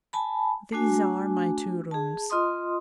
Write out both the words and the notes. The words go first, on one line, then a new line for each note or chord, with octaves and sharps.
These are my two rooms.
G#5 A5 B5
A3 D4 F#4 G#5
G#4 A5
F4 D#5 C6 D#6